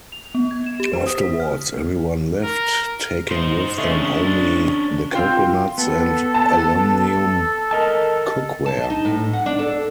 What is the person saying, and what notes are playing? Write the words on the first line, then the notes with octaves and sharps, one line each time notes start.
Afterwards, everyone left, taking with them only the coconuts and aluminium cookware.
F7
B3
G#6
E7
G4
C5
D#6
B6
F6
A#4
D#4 C5
G#3 A3 C#4 D4 G#4
C4 F4 G5
B3 A4
A5
A#4 D#5 A5
A5
D#4
A2
F#5
D4
A4